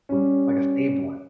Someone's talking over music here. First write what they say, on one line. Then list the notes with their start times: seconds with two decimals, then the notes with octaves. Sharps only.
Like a saved one.
0.09 G3 C#4